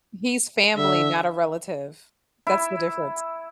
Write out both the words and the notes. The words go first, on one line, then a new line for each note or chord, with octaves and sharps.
He's family, not a relative. That's the difference.
D3 E5
E4